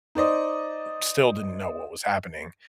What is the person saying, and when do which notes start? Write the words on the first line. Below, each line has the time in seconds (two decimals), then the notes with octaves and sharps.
still didn't know what was happening.
0.15 D#4 C5 D5 D#5